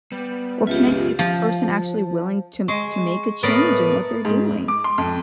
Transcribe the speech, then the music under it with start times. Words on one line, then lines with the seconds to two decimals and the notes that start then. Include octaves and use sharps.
or can I see this person actually willing to m to make a change in what they're doing?
0.12 G3 B3
0.67 C#2 F#2 F4 G4 A4 E5
1.19 F3
2.68 G#3 C#6
3.43 A2 B3 A#4 B4 D5 D#6 A6
4.25 G#2
4.68 D6
4.84 C6
4.98 F2